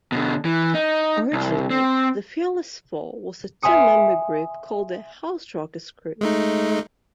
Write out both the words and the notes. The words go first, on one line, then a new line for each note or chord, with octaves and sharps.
Originally, the Fearless Four was a two-member group called the Houserockers Crew.
B2 D3
E3
D#4
C2
C4
E5 G#5 C6 D#6 C#7
G#3 A3 D#4